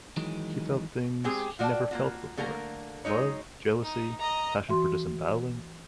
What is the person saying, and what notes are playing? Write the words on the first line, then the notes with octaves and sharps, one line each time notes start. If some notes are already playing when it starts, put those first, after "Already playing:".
He felt things he never felt before: "love, jealousy, passion for disemboweling".
D#3 E3 F#3 G#3
G#3 C4 G4 G#4
F4 F#4 D5 F5 G5 A5
A#3 F4 F#4
D3 A3 A#3 A#4 A#5
F#3 G#3 D#4 C#5 A#5
D#4
D#5 A#5
E3 F#4 C6